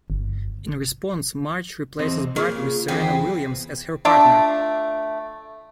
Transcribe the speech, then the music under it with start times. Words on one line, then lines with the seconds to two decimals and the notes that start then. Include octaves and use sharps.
In response, Marge replaces Bart with Serena Williams as her partner.
0.10 G1
1.99 E2 C4 D#5
2.36 C#3 A#3 F4
2.88 E2 E3 B3 C4 G#4
4.05 A3 D4 F4